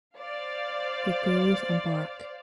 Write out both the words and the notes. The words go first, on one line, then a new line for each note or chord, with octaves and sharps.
It grows on bark.
C5 D5 F5